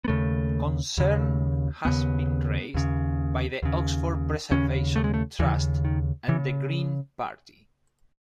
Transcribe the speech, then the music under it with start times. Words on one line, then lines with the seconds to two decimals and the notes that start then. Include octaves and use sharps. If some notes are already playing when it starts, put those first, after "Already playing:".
Concern has been raised by the Oxford Preservation Trust and the Green Party.
0.04 B3
0.08 D#2 C#3 A3
0.98 D#2 C#3
1.85 D#2 C#3 B3
2.74 D#2 C#3
3.63 D#2 C#3
4.51 D#2 C#3 C#4
4.96 A3
5.04 G#3
5.14 A3
5.39 D#2 C#3 E3
5.85 D#3
6.28 C#3 E3